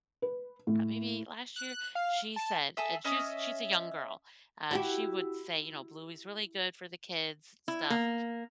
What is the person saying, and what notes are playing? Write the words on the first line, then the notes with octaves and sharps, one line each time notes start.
uh, maybe last year? She said- and she's she's a young girl- uh, she would say, you know, "Bluey's really good for the kids stuff."
B4
A2
F#6
F5
A5
G#4 A4 E5
C#4 D#5 E5
E4 F#4 G4
E4
A#3